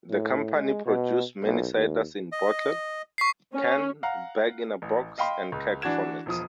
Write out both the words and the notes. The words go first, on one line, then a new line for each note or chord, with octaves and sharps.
The company produce many ciders in bottle, can, bag in box and keg formats.
A2
G#3
B2
B1
D#2
D#5
C#6 B6 C7
C#4
F5 F#5 A#5
A1
D#5 F5 G5 B5 C6
C#2
E3 D4 F#4 G#6 E7
E1 F3 D#6